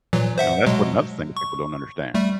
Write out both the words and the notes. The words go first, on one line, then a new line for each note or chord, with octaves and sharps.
You know? That's what another thing that people don't understand.
A#2 E3 F#3
C5 E5 F#5
B2 F#3 G#3
C#6
G3 A3